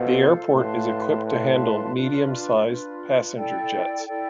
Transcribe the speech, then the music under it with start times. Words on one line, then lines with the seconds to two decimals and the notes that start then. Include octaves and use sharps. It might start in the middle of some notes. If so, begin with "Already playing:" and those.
The airport is equipped to handle medium-sized passenger jets.
Already playing: B2 F4 A4 C5 F5
0.54 A2 B4 F5 A5 C6
1.24 B4 F5 A5 C6
1.94 D4 F4 B4
2.66 D4 F4 B4
3.35 E4 A4 D5 G5
4.06 E4 A4 D5 G5